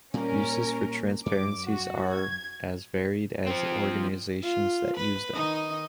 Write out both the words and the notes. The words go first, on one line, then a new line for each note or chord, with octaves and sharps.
Uses for transparencies are as varied as the organizations that use them.
A#2 G3 A#3 C#4 A#4
F#2 D6
F#4
G#6
F3 C4
F4
B4
D#3 D#4 D#5